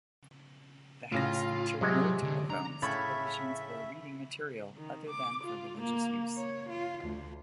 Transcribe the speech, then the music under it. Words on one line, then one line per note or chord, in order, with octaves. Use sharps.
The house featured no telephones, televisions, or reading material other than for religious use.
A2 C#3 F4 A#6
C3 F#3 G#3
D3
D4 A#5
A2 C#3 E5 B5 C#6 G#6 A6
D#3
D6
F4
A#3
C#5
F4
D2